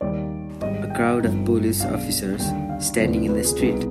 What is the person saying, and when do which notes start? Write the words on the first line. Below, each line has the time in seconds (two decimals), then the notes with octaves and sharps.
A crowd of police officers standing in the street.
0.01 D#2 D#3 G3 D5
0.61 G#1 G#2 G3 D#5
0.90 G5
1.20 G1 G2 F3 C4 D#4
1.80 B1 B2 G#3 D4 F5
2.39 D#2 D3 G3 D4 G5
2.69 F5
2.99 D2 C3 F3 B3 D4 C5
3.28 B4
3.45 G#4
3.59 C2 B2 B3 D#4